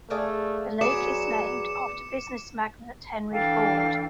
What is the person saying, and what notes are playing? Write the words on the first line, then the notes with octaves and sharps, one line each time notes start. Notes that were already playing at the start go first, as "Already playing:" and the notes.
The lake is named after business magnate Henry Ford.
A3 G#4 D5 F5
F#3 B3 G#4 D5 D6 C#7 E7
E3 D4 A4 F5 G5